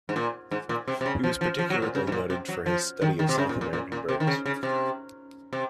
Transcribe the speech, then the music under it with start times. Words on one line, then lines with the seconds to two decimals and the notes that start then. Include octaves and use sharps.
He was particularly noted for his study of South American birds.
0.09 G#2
0.16 A#2
0.51 G#2
0.69 A#2
0.88 C3
1.01 C3
1.06 C#3
1.24 F3
1.41 F3
1.59 F3
1.70 F#3
1.82 A#2
1.95 C#3
2.07 G#2
2.12 A#2
2.30 C3
2.49 F#3
2.66 F3
3.02 D#3
3.19 D#3
3.29 C3
3.38 C#3
3.49 A#2
3.61 A#2
3.73 A#2
3.92 A#2
4.09 C3
4.20 D#3
4.27 C#3
4.46 C#3
4.63 C3
5.53 C3